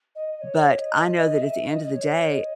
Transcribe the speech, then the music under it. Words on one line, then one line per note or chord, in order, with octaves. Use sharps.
but I know that at the end of the day,
D#5
C#5
D#5
D#5
E5
D#5
D#5
C#5
D#5